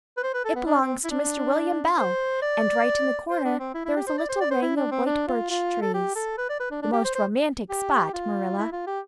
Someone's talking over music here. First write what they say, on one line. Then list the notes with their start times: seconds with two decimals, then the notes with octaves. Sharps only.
It belongs to Mr. William Bell, and right in the corner there is a little ring of white birch trees--the most romantic spot, Marilla.
0.17 B4
0.23 C5
0.34 B4
0.45 A4
0.55 B3
0.66 D4
0.81 C4
1.05 E4
1.11 D4
1.98 C5
2.42 D5
3.30 C5
3.45 D4
3.60 C4
3.74 E4
3.85 E4
3.96 G4
4.07 C5
4.18 D5
4.29 C5
4.41 D5
4.51 C5
4.62 E4
4.77 D4
4.91 C4
5.06 D4
5.28 F4
5.50 F4
5.82 A4
5.94 G4
6.16 A4
6.38 B4
6.49 D5
6.60 B4
6.71 D4
6.82 D4
6.93 G4
7.04 C5
7.15 C5
7.70 G4
8.14 F4
8.58 E4
8.72 F4
8.87 G4